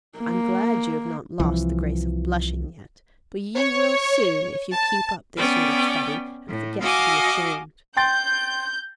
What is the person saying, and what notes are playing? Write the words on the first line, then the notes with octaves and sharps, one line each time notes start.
'I'm glad you have not lost the grace of blushing yet; but you will soon, if you keep up this sort of study and forget to be ashamed.
A#3
C2 E3 F3
C#5
A5
B3 C#4 D5 G5
A2
F#4 D#5 F5 G#5 D6
G5 C6 G6 A6